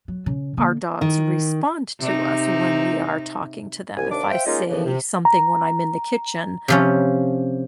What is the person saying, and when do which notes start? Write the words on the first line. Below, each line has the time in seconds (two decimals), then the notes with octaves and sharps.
our dogs respond to us when we are talking to them. If I say something when I'm in the kitchen,
0.08 F#3
0.26 C#3
0.57 D3 A#3
1.01 D#3
1.99 C3 D#4
3.97 C2 G#5
4.11 D#2 C3 D4 D6
4.30 C5 E5 F5 G5
4.46 G#3 A#3 C#4 D#4 F4 D#5
4.69 D#2 A2 C#3 E3 F3
4.84 C3
5.25 A#5
6.68 C3 F3 C#4